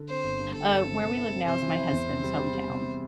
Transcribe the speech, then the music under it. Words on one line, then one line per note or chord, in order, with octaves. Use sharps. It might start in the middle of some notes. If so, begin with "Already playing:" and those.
Uh, where we live now is my husband's hometown.
Already playing: D3
C4 C5
G1
G2
G2 A4
G2
C4
C3
E4
C4
C3 C5
E3
E4
E2
C3
G3
G3
G3
C3